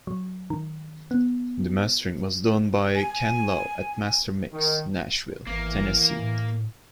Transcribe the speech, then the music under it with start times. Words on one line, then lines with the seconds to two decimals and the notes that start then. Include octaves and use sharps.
The mastering was done by Ken Love at MasterMix, Nashville, Tennessee.
0.07 F#3
0.50 D#3
1.11 B3
2.96 G#5
4.53 D#3
5.47 G#1 E3 A#3
6.19 A2